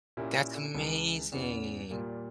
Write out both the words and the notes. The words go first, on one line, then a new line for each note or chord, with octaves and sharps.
That's amazing.
A#2 A#3 C#4 E4 G4
C#2 C#3 E3
E2 C#3 E3 B3
A#2 G3 A#3